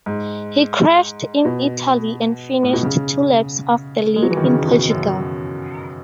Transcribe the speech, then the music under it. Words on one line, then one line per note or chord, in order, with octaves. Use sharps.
He crashed in Italy, and finished two laps off the lead in Portugal.
G#2
B2
A2
B2
C#3
G#3
F#3
E3
D#3
C#3
B2
F#2